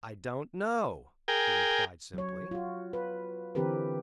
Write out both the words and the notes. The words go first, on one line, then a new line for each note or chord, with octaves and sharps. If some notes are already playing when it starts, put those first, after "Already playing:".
"I don't know," he replied simply.
G#4 A#4 G5
F#3 C#5
F4 F#4
B4
D3 E3 C4 G4 A#4 B4